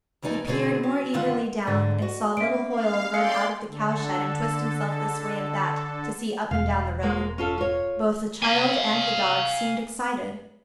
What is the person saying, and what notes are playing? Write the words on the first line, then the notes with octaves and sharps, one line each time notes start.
He peered more eagerly down, and saw little Hoyle run out of the cow shed and twist himself this way and that to see up and down the road. Both the child and the dog seemed excited.
F2 E3 G3 D#4 G#5
B2 D3 C4 G#4
F#3
G2 D3 D#3 C4 F4 F#5
G#2 D3 D5
F#4 D#5
A#3 C#4 E5 D7
F5
A4 D5 F5 G5 C6 C#7
D3 A4
E1 F5
G#3 A#3
C#4 F4 A4
F4 C#5
F5 G#5